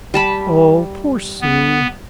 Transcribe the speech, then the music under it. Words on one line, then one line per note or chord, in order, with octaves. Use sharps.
"Oh, poor Sue!"
G3 A5 B5
B3